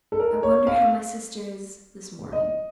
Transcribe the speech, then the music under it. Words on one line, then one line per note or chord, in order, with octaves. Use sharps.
'I wonder how my sister is this morning.'
A4
A#4
C#5
F5
D#5